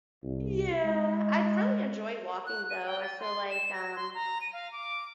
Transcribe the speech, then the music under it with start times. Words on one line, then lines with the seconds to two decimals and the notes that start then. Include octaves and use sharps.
Yeah, I'd really enjoy walking though, I feel like, um
0.23 C2
0.82 G#3
2.46 F#6
2.70 D#7
2.85 G5
3.02 A6
3.20 C6
3.50 E7
3.73 A#6
3.96 C6
4.14 A#5
4.41 D#7
4.53 F5
4.72 D6